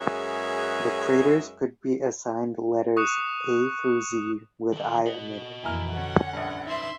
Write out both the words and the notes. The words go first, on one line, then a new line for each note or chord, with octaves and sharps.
The craters could be assigned letters A through Z, with I omitted.
F#2 G#3 G#4 B4 C#5 E5
C#6 D#6 F#6 C#7 E7
D#3 A4
F#4 D#5
F2 A#2 E3 E4 G#5 A#5 F6
D3 C#4 F#5
A#1 G2
D#4 B4 E5 C6